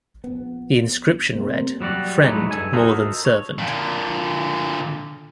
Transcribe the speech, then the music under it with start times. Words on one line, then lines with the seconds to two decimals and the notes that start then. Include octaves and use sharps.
The inscription read: Friend more than Servant.
0.24 A#1 B3
1.35 C3 G3 A3 A#3 C4
1.80 F#3 G3 F#4 D5
2.24 F#3 G#3 A3 B3 D#4 E4
2.51 G2 A4 G#5
2.73 F#4 A4 A#4 C5 D#5 E5
3.25 C#5
3.59 A#2 D3